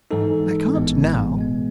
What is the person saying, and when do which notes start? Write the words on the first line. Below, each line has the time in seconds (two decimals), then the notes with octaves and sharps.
"I can't now."
0.11 G#2 E3 G#3 D#4 A4
0.74 A1 A2 E3 G#3 B3
1.37 B2 G#3 B3